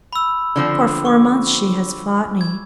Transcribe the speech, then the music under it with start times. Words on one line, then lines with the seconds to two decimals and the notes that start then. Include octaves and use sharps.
For four months she has fought me.
0.13 B5 E6
0.56 D3 F3 C4
1.05 C#6 D6
2.41 G#6